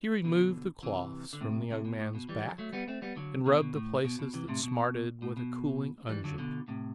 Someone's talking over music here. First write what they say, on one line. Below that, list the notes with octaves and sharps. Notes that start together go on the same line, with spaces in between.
He removed the cloths from the young man's back, and rubbed the places that smarted with a cooling unguent.
B2 D3
C3 E3
D3
A2 C3
A2 C3
B2
A2
B2
E3 G3
F#3 A3
G3 B3
A3 C4
G3 B3
D3 F#3
B2 D3
B2
A2
B2
B2
C3 E3
A2 C3
B2
A2
B2
E3 G3
D3 F#3
B2 D3
A2 C3